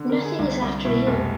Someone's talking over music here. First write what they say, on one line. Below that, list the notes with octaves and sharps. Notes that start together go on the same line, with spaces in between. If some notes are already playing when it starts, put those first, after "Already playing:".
Nothing is after you.
Already playing: D3
A#4
D3
G#4
C2
C2
B2 E4
F1